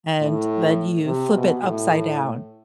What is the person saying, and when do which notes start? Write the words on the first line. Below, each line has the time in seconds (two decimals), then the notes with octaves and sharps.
and then you flip it upside down,
0.21 A2
1.06 C3
1.34 B2
1.64 A2